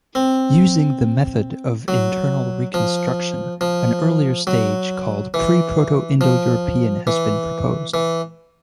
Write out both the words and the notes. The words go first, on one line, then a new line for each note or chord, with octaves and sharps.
Using the method of internal reconstruction an earlier stage, called Pre-Proto-Indo-European, has been proposed.
C4
F#3
F3
F3
F#3
E3
F3
E3
E3